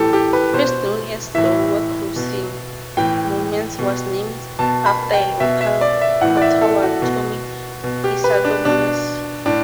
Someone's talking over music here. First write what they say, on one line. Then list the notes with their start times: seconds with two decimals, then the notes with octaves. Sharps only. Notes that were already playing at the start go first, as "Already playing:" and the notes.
First known as "Lower Crossing", Momence was named after a local Potawatomi, Isadore Moness.
Already playing: A2 E3 G4 A4
0.13 G4
0.33 B4
0.53 B2 C5
1.35 A2 E3 E5
2.16 B2
2.97 A2 E3 G5
3.79 B2
4.59 B2 A5
4.86 B5
5.13 G5
5.40 B2 E5
5.61 E5
5.81 D5
6.01 E5
6.21 A2 E3 F#5
6.37 D5
6.42 E5
6.62 A4
6.82 F#4
7.02 B2
7.84 B2
8.04 G4
8.24 B4
8.45 D4
8.65 B2 D4
9.46 A2 D4